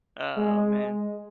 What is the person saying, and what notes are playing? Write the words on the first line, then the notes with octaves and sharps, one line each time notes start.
Oh, man.
G#3